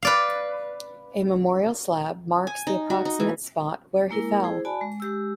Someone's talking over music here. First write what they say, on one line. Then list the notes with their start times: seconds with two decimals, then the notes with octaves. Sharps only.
A memorial slab marks the approximate spot where he fell.
0.02 B4 D5 F5
2.47 G#5
2.67 D#4
2.90 F#4
3.05 D#4
3.20 E3
4.09 G#3 A#3 E4 A#4
4.43 E4 G#4 C5
4.65 F#4 D5 G#5 A5 B5
4.81 G#3
5.00 G#3 G4 E6